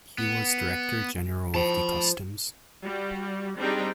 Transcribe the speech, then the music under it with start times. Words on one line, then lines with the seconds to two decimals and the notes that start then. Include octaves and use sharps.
He was Director general of the customs.
0.18 B3
1.55 F3 A5 B5
2.84 G3 F#4
3.57 G3 C4 D4 D#4 G#4 G5